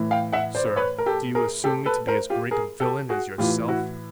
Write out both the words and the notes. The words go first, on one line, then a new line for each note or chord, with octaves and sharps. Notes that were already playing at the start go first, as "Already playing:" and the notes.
"Sir, do you assume me to be as great a villain as yourself?"
Already playing: A2 E3
F5 G5
E5 F#5
C5 D5
C5
B4 C#5
A#4
G4 A4
G#4 A#4
G4 A4
A4 B4
A#4 C5
F4 G4
G#4 A#4
G4 A4
F#4 G#4
A2 E3 F4 G4
E4 F#4